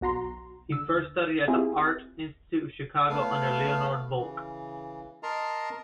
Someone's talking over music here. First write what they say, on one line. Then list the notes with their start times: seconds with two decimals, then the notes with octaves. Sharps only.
He first studied at the Art Institute of Chicago under Leonard Volk.
0.01 B1 F#4 A#5 C6
0.70 D3 E6
1.48 C4 E4 F4 G4 G#4
3.09 A3 B3 F5
4.17 C#3 E3
5.23 A#4 D#5 A5 A#5 C6